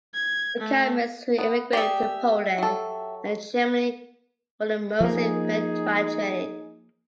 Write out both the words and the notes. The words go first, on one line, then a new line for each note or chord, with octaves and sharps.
The Kalmyks who emigrated to Poland and Germany were mostly repatriated.
G#6
A3
B3
G4 G#4 D5 E5
F#3 A4
F3 A#3 D#4 G#4